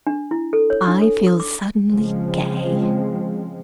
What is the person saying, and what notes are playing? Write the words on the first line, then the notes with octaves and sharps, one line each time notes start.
I feel suddenly gay.
D4
E4
A4
C#5
D4
A4
D#6
D6
C#3 F3 G#3 C4